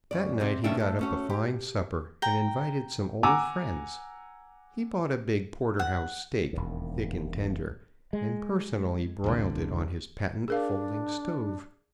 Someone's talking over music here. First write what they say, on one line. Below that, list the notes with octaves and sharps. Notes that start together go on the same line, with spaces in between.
That night he got up a fine supper, and invited some old friends. He bought a big porterhouse steak, thick and tender, and personally broiled it on his patent folding stove.
F#2 D5
C3 C4
D#2 B2 C#4 D4 E5 G5
A3
A3 C#4 F#4
G4
G5 A#5
F#5 G#5 A#5 D6 E6
F#5
E1 D#2
G#3
E1 C2 D3
D4 G#4 A#4 F5